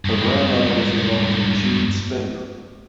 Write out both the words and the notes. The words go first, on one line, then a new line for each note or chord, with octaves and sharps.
Her grandmother was the author Jean Spender.
G2 G#3